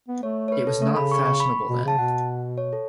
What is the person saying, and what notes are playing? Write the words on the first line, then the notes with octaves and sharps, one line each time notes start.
It was not fashionable then.
B3
A3 C#5
C#5
B4
A4
A3 A4
C#3 B5
C#6
C#6
B5
B2
C#3 A5
B2 F#5
C#5
A4